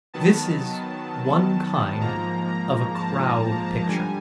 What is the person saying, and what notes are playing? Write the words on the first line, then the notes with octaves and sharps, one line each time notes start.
This is one kind of a Crowd Picture.
D#3 F#3 B3 A5
G#2 F3 A#3 A#5
A#5
A5
G2 D3 G3 G#5